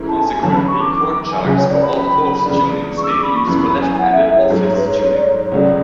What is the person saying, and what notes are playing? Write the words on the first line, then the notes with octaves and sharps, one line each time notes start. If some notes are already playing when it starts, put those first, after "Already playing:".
Consequently, chord charts for all-fourths tunings may be used for left-handed all-fifths tuning.
Already playing: G#2 E3 A3 C#4 E4
A5
G#5
G#5
E2 D3 F#3 C#4 A5
B5
C#6
D6
D6
D6
G#5
C#2 C#3 F#3 G#5
C#5
D5
B5
E2 C#3 G#3 D4
C#6
E6
D6
B5
C#6
F#2 E3 B3 B5
G#5
F#5
E5
E5
C#5
G#2 F#3 A3
C#5
B4
C#5
C#5
D5
C#5
C#5
C#2 C#3 F#3 A3 D5